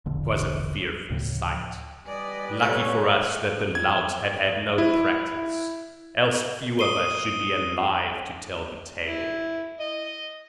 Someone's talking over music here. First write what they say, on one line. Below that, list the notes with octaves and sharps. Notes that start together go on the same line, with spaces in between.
'Twas a fearful sight; lucky for us that the louts had had no practice, else few of us should be alive to tell the tale.
E1 A#1 A#2 D3
D2 A2 C#3 F3
G3 B4 D5 D#5 G#5
A3 C#5
G#6
E4
D#6 C7 D#7 G7
E4
D#5